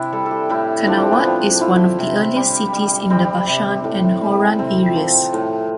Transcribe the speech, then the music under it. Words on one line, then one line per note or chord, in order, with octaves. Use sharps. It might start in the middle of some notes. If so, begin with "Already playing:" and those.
Qanawat is one of the earliest cities in the Bashan and Hauran areas.
Already playing: C3 C4 D4 E4
G3 A4
A4
G4
A2 E4
F3 D4
C4
B3
F3 C4
F3 E4
C3
G3
G3
G3 C4
C3
A2
G3
C3 C4
F3
A2